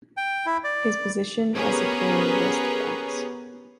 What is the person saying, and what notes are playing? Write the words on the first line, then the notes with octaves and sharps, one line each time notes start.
His position as a player was defence.
G5
E4
D5
B3 C#4 G4 G#4 A#4 B4